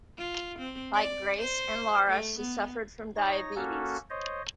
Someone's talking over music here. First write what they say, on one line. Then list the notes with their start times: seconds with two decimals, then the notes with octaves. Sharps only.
Like Grace and Laura, she suffered from diabetes.
0.18 F4
0.59 C4
0.94 D5
1.41 C5
2.10 A3
2.39 B3
3.16 D#4 C#5 A#6
3.56 A#3 C#4 F#4 A4
4.10 C5 C#5 D#5